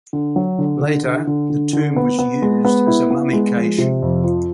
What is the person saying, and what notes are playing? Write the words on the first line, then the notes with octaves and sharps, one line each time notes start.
Later the tomb was used as a mummy cache.
D3
F#3
D3
D3
D3
D3
D3
D3
B3
B3
G#3
B3
E4
B3
G#3
F3
C3
F2
F3